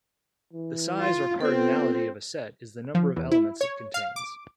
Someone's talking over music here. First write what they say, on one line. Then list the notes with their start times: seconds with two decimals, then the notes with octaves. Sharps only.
The size or cardinality of a set is the number of elements it contains.
0.53 E3
1.00 F4
1.41 B3 C4 F4 A4
2.95 F3
3.16 E2
3.31 E4
3.61 C#5
3.94 F5
4.16 D6